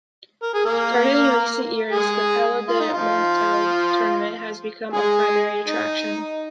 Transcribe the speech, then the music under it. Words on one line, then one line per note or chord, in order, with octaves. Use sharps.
Started in recent years, the "Palio di Monselice" tournament has become a primary attraction.
A#4
G#4
A#3 A#4
G#3 G#4
F4
D#4
F3 F4
G#3 G#4
D#4